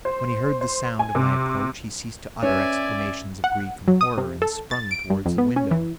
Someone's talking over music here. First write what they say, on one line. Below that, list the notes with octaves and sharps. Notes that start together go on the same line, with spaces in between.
When he heard the sound of my approach, he ceased to utter exclamations of grief and horror and sprung towards the window.
C5
C5
G#5
C3
C#4 B4 C#5 D5 E5 G#5
F#5
F#3
D#6
C3
A4
A6
D7
G2
F2
B3
C#4
E3